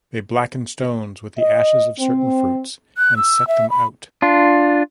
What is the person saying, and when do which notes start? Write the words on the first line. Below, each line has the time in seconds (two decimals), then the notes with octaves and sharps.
They blacken stones with the ashes of certain fruits and set them out.
1.39 D#5
1.99 C4
2.98 F#6
3.17 E6
3.48 E5
3.70 B5
4.22 D4 F4